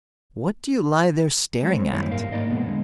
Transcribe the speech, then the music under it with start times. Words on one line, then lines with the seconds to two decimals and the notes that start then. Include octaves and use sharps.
'What do you lie there staring at?'
1.63 G#3 C4 C#5
1.92 F#2 D#3 G3 A#3 D#4 E4
2.12 G#2 A#4 F5
2.32 A#3 D#4 D5 D#5
2.49 B1 E2 A#2 G#3 B3
2.67 D3 G#3